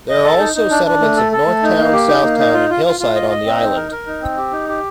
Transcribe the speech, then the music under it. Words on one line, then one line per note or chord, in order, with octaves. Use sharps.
There are also settlements of Northtown, Southtown and Hillside on the island.
D#5
A4
D#4
D#4
D4
D4
A3
A4
A4
A3
D#4
A#3
G4
D#4
A#3
D#4
F4
F4
F4
F4
D#5
D#5
C4
D#4
A#4
A#4
D#4
C4
G4
D#4
G4